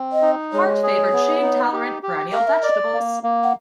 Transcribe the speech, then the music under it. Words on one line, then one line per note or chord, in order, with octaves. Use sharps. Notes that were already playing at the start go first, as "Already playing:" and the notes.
Hart favoured shade tolerant perennial vegetables.
Already playing: C4
D#5
D#4
G#3 C#5
G#4
B3
D#4
G4
G4
A#4 F5
E5
D5 D#5
A#3
A#3
F#5